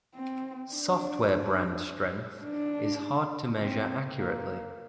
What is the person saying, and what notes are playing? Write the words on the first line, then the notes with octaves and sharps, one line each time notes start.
Software brand strength is hard to measure accurately.
C4
D4
D4
C4
A#3